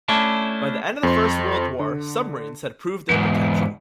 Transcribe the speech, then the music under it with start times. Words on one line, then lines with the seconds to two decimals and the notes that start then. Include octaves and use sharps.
By the end of the First World War submarines had proved their potential.
0.08 A3 C#4 D4 E4
1.03 F2 C5 C6
1.79 D3
3.10 E2 G#2